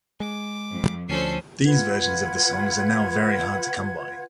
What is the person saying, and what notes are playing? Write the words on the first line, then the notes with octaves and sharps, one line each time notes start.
These versions of the songs are now very hard to come by.
G#3 D6
F2
D2 F3 C#4 D4 A4 C5 C7
F4 B4 F#5 G#6